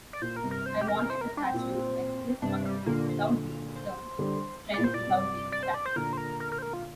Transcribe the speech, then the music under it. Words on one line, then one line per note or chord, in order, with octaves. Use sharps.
I wanted the statue to express confidence without being stern, strength without being static.
D5
A#2 C5
A#4
G2 C3
A#4
C5
G4
A#4
C5
A#4
D4
C4
A#2
G2 C3 D4
G3
A#2 D3 A#3
C5
C5
D3 G3
A#2 D5
C5
A#2 D5
G2 C3
D5
C5
D5
C5
A#2 D3 A#4
C5
A#4
A#4
A#4
C5
A#4
F4